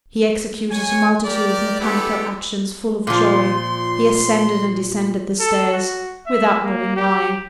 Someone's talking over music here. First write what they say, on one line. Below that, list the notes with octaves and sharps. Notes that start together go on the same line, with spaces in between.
He executed a multitude of mechanical actions full of joy; he ascended and descended the stairs, without knowing why.
G#3 C#5 G#5
G4 A#4 D5
B3 D4 E4 G4 A4
A#2 F3 C6
A4
F#4
E5
A#3
G4